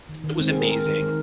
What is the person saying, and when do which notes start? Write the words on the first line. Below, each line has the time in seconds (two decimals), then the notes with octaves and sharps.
it was amazing.
0.09 D#3
0.24 D#3
0.40 G#3 C4
0.50 G#4
0.55 G#3 A#4
0.70 G#3 A#4
0.86 D#3
1.01 D#3